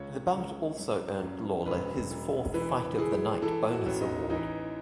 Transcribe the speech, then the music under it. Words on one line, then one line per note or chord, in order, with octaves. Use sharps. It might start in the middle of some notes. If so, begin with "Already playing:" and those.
The bout also earned Lawler his fourth "Fight of the Night" bonus award.
Already playing: C#2 C#5
C#2
F#2
F#2
E1 B4
E1
E3 B4
E3 G#4
E3 A4
F#4
A1
D#4
E3 D#4